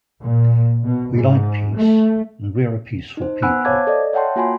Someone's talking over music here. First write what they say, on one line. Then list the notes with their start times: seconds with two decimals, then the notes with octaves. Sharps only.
We like peace and we are a peaceful people.
0.22 A#2
0.84 B2
1.15 G#2
1.77 A3
3.17 D#4 C5
3.42 B3 F#5 G#5 B5 E6 F#6
3.65 C5 C#5 F5 A5 D6 G#6
3.87 A4 D5 D#5
4.13 C#5 E5 F#5 G5 A5 C6
4.36 A#3 F4 F#4 G#5 B5 C6